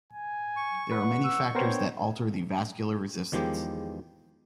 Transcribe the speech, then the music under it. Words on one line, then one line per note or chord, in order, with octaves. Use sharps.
There are many factors that alter the vascular resistance.
G#5
C#6
E2 B4 F#5
E6
B3 D4 A#4 C5 C#5 G5
E2 D#3 F3 G#3 G4